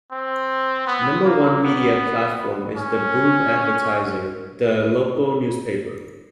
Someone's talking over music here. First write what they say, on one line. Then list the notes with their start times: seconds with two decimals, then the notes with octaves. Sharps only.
Number one media platform is the "Broome Advertiser", the local newspaper.
0.12 C4
0.87 B3
1.25 A#3
1.64 B3
2.77 C#4